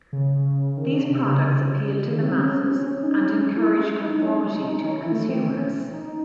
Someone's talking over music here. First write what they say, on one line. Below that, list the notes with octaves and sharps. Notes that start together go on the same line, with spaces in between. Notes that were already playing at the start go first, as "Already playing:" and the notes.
These products appeal to the masses and encourage conformity to the consumers.
C#3
D#3
C#3
C3
C#3
D#3
C4
C#4
C#4
C#4
D#4
C#4
E4
E4
D#4
C#4
D#4
D#4
C#4
E4
A3
C4
C#4
D#4